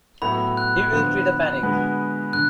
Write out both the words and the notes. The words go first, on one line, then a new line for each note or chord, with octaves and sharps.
He will create a panic.
A2 F#3 B3 F#4 A4 B5
F#6
D3 F3 B3 F4
D3 G#3 B3 F#4 B4
D3 F#6